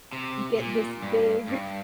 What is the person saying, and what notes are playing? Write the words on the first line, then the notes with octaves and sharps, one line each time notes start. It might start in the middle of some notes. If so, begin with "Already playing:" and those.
get this big,
C3
A#2
G2
G2